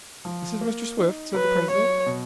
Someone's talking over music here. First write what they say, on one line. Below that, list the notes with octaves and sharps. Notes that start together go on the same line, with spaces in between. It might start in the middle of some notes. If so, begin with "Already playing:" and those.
"This is Mr. Swift," said the president.
F3
A#3
D#4
F#3 B4
F#3 C#5
B2